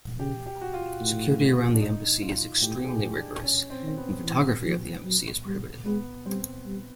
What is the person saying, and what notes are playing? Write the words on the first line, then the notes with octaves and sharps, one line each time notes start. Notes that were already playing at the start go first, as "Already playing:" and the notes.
Security around the Embassy is extremely rigorous and photography of the embassy is prohibited.
C#3 G4
G4
F#4
F4
A2
D4
D#4
F4
A2 G4
G#4
G4
A2
D4
C#4
C4
D#3 C4
B3
E3
F3
F#3
G3
G#3 B3
G3 C4
G3